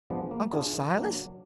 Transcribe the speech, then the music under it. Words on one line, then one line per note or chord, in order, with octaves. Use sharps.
Uncle Silas?
F3 G#3 B3 D4
A#3
D4 F4 G#4
D#3
F#3 A#3 D4
F#3